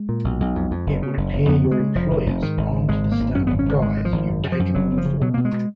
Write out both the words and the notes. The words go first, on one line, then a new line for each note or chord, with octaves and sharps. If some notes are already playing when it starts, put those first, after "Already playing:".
It would appear your employers aren't the stand up guys you'd taken them for.
Already playing: G#3
A#2
B1
B1
F2
F2
F#1
C#3
F#1
F#1
F2 B3
C#3
G#3
C#3
F1 F3
F1
F1
G#2 D#3
G#1
G#2
G#1 G#3
G#2
A#3
G#1
F#2 C#4
G#1 B3
C#4
G#1
G#1 G#3
C#3
F3
G#1
F#2
C#3
F3
F#2
F#1 F#3
F#1
F3
C#3
B2 F#3
B2 A#3
G#3
B2